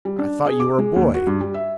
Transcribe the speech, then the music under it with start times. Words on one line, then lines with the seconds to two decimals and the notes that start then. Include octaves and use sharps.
"I thought you were a boy."
0.05 G3
0.19 D4
0.46 G#4
0.60 D6
0.78 G#3
0.96 D#2
1.14 F#4
1.27 G2
1.41 G3
1.54 E5